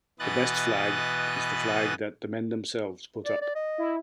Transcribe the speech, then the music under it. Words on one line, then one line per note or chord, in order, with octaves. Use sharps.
The best flag is the flag that the men themselves put up.
B2 E3 B4 D#5 F#6 A6
D5
D5
D#5
E4